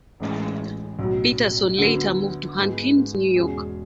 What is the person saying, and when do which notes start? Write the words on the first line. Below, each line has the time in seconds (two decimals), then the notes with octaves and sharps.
Peterson later moved to Hankins, New York.
0.20 A1 A2 E3 G#3
0.99 B1 A2 F#3
1.78 D2 D3 F#3 B3 F#4
2.57 G#2 G#3 B3
3.35 E2 B2 G#3 C#4 G#4